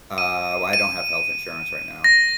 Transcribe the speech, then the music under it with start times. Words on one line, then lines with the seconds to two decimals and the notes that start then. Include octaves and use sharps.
Uh, well, I don't have health insurance right now.
0.18 D#7
0.73 D#7
2.04 A#6